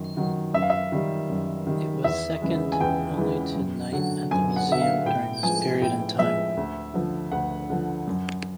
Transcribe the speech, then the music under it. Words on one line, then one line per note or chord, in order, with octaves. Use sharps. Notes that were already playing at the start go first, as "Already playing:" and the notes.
It was second only to "Night at the Museum" during this period in time.
Already playing: F#2 D#3 F#3
D#3 F#3
F#2 E5
F5
E5
D#3 G3
F#2
D#3 G3
E2 E5
C#3 E3 G#3
G#5
E2 G5
C#3 E3 G#3
F#2
D3 F#3
F#2 G#5
F#5
D3 F#3 E5
F5
A2 G5
F3 G#3 G#5
A2 G5
F3 G#3 E5
D2
D3 F3
D2 F#5
D3 F3
F#2